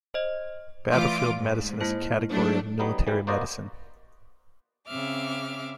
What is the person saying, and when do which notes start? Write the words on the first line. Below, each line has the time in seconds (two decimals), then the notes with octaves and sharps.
Battlefield medicine is a category of military medicine.
0.14 C5 D#5
0.91 E3 A3 F4 C6 D6
1.37 G#2
1.81 A#3 E4 C5
2.29 F#3 A3 D4
2.79 F#3 G3 B3 D#4
3.07 E3 G3
3.27 A#3 B3 F#4 C5 D5 D#5
4.86 C#3 C4 E5 D6 F6